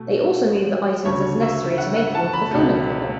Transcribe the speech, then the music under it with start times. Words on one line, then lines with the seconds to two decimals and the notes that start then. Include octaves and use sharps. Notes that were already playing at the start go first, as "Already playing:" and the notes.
They also move items as necessary to make room for the filming equipment.
Already playing: B2 A3
1.05 D2 C#3 F#3 A3 C#5
1.42 E5
1.78 F#5
1.96 F#5
2.15 A5
2.33 B5
2.51 C#2 B2 A3